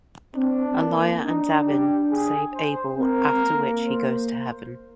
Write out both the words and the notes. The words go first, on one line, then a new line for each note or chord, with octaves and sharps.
Alia and Davin save Abel after which he goes to heaven.
C4 D4
A#3
D4 D#4
G4
G#4
C5
C4 A#4
A#3
C5